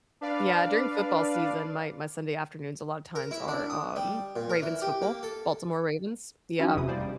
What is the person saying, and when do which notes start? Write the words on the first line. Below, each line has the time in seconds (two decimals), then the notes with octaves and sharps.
Yeah, during football season, my my Sunday afternoons a lot of times are um, Ravens football, Baltimore Ravens, yeah,
0.21 D4 B4 D5 F5
3.15 A#4
3.31 E4
3.48 D4
3.70 D#6
3.96 G3
4.36 A#2
4.50 A#4
4.62 E3
4.82 G4
5.02 A#3
5.23 A4
6.59 F3 F#3 C#4 D#4 E4 F#4
6.75 G1 E2 C3 E3 G#3 D#6
6.88 G3 A#3 C5 D5
7.01 G3